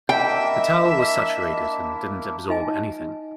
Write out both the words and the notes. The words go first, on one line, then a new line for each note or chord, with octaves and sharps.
The towel was saturated and didn't absorb anything.
A#3 D4 E4 D#5 E5 G5
D#4 D#5 G#5